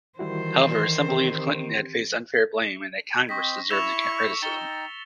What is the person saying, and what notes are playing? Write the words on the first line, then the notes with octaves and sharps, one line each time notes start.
However, some believed Clinton had faced unfair blame, and that Congress deserved the criticism.
D#3 E3 G3 E4 F#4 C5
C4 G4
C4 C5 D#5 C#6 A#6 B6
E4 C#6 E6 E7 F7
D#4 G5 A#5 A6 C#7 G7